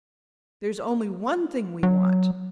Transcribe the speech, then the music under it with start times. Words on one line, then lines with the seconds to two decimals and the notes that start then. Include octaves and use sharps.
"There's only one thing we want."
1.83 F#3